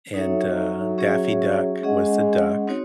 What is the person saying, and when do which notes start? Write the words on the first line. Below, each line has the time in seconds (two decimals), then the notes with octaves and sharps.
and, uh, Daffy Duck was the duck.
0.14 F#3 D#4 A4 C#5 E5
0.98 C#4 G#4 C#5 E5
1.83 G#3 C#4 G#4 D#5 F#5
2.67 C4 D#4 F#4 C#5